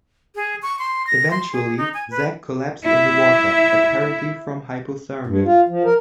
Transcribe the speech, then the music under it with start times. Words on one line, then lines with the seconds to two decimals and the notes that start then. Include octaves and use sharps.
Eventually, Zack collapsed in the water, apparently from hypothermia.
0.35 G#4
0.62 C#6
0.79 C6
1.07 A#6
1.31 C6
1.53 G#4
1.78 D#4
1.94 G#5
2.11 B4
2.84 E4 E5
5.27 G2
5.45 F4
5.69 F3
5.84 A#4